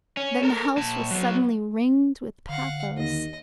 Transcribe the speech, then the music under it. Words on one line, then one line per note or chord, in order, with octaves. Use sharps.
Then the house was suddenly ringed with pathos.
C#4
A4 A#4
A#2 A5
F#3 B3
D3 F5 F#5
D#2 D#5